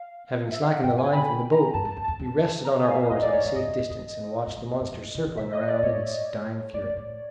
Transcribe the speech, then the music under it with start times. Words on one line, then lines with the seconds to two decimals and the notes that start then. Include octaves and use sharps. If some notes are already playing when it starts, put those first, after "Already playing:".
Having slackened the line from the boat, we rested on our oars at a safe distance and watched the monster circling around in its dying fury.
Already playing: F5
0.52 E5
0.63 F5
0.72 F#5
0.83 G2 G5
0.98 G#5
1.13 B5
1.29 B5
1.52 A#5
1.73 G2 A5
1.85 F#2
1.89 A5
1.97 F2
2.04 E2 A5
2.19 F2
2.65 A#5
2.80 G#5
2.90 F5
2.95 E5
3.10 F2 D#5
3.22 E2 D5
3.33 F2 C#5
3.45 G#2
3.55 G2 D#5
3.67 F#2
3.78 F2
3.90 F2
4.01 F#2
4.47 G2
4.58 A#2
4.69 G#2
4.80 G2
4.92 F2
5.03 A2
5.15 C3
5.26 B2
5.37 A#2 E5
5.52 D#5
5.68 D5
5.83 A2 C#5
6.73 A#2 D5
6.82 A2
6.90 G#2
6.97 A2